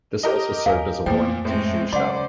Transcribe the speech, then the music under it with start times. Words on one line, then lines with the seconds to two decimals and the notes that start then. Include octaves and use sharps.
This also served as a warning to Ju Shou.
0.23 G4 A#4 D#5
0.66 D#2 F5 G#5
1.06 F2 A#2 F3 A3 G5
1.45 A2 G#3 C4
1.93 C#3 F#3 C5 D5 F#5 C6